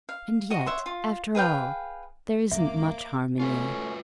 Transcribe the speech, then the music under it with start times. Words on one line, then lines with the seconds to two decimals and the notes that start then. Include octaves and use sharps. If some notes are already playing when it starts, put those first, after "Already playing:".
And yet, after all, there isn't much harm in you.'
0.09 F5
0.50 F#4 D#5
0.66 C#5 E5 F#5 C6
0.86 F4
1.35 G#4 B4 F5 G5
2.52 C#2 G2 A#3 E5 D6
3.40 A3 C#4 F4 F#4 B4